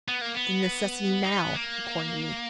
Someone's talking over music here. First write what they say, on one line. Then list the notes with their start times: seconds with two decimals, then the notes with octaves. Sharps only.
It's a necessity now, according to me.
0.08 B3
0.21 A#3
0.35 B3
1.24 D#4
1.39 B3
1.54 A#3